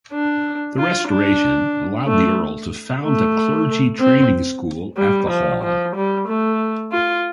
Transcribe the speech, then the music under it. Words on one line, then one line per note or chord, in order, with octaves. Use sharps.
The restoration allowed the earl to found a clergy training school at the hall.
D4
F4
D4
A3
A3
C4
G3
F3
F3
G3
A3
F4